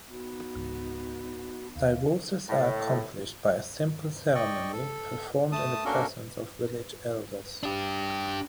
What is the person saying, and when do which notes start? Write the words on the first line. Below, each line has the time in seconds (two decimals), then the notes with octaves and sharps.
Divorces are accomplished by a simple ceremony performed in the presence of village elders.
0.10 B3 D#4 F#4
0.55 C#2 G#2 E3
1.76 D#2 C3 F5
2.49 A2
4.35 D5 D#5 G5 C#6
4.73 A4
5.52 A3 A5 D#6
5.85 A#3 C#4 D4 F#4 A4 A#4
7.63 D4 G4